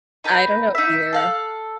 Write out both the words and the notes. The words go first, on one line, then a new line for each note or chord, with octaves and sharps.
I don't know either.
D#4 B4 A#5 G6
D#4 E5
A4 F5 F#6